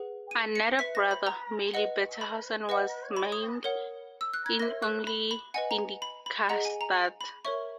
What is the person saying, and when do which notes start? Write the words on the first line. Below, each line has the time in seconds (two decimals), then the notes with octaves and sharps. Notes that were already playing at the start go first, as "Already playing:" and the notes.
Another brother, Merle Bettenhausen, was maimed in his only Indy Car start.
Already playing: G#4 B4 F#5
0.31 D#7
0.55 C#7
0.79 B4 E5 B6
0.95 A#6
1.11 B5
1.26 A#5
1.74 B4 D#5 F#5
2.21 B5
2.69 B4 D#5 F#5
3.17 B5
3.32 D#6
3.64 A#4 C#5 F#5
4.21 E6
4.34 F#6
4.46 G#6
4.59 A#4 E5 A#6
4.82 F#6
5.07 B5
5.31 B5
5.54 B4 D#5 F#5 G#5
5.71 A#5
6.02 B5
6.26 B5
6.49 G#4 D#5 F#5 A#5
6.65 G#5
6.81 A#5
7.21 B5
7.45 A#4 C#5 E5 C#6